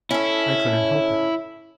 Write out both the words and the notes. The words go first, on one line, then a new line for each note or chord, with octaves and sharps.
I couldn't help it.
C#4 E4 A4